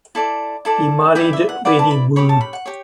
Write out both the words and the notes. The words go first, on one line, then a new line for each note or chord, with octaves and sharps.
He married Lady Wu.
E4 A4 D5
E4 A4 D5
E4 B4 D5 G5
E5
F#5
E4 B4 D5 F#5
A5
B5
G4 C#5 B5
A5
B5
F#5
G4 C#5 G5